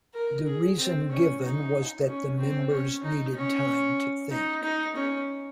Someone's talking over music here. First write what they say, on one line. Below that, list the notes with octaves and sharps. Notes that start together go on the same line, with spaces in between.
The reason given was that the members needed time to think.
A#4
G#4
C4
C#4
D#4
C#4
C4
C#4
D#4
C#4
D#4
D#4
C#4